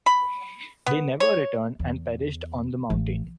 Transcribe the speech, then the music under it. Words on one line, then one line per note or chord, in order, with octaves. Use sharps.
They never returned and perished on the mountain.
B5
B3
C#5
E2
A1